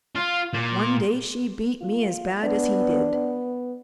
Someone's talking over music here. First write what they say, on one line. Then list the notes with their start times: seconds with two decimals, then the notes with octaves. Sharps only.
One day she beat me as bad as he did.
0.16 F4
0.53 A#2
1.81 F4
2.43 B3 D4
3.13 B3